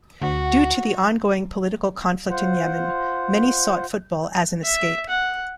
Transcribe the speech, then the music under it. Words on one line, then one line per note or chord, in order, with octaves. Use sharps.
Due to the ongoing political conflict in Yemen, many sought football as an escape.
D2 F#4 F#5
F4 C5 F#5
E5
F#5